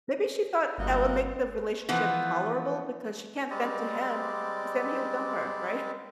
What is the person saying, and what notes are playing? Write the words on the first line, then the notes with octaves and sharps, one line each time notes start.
Maybe she thought that would make the relationship tolerable because she can't vent to him, 'cause then he'll dump her, right?
G1 A#3 F#4 D#5
E3 F3 B3
G3 G#3 C4 D5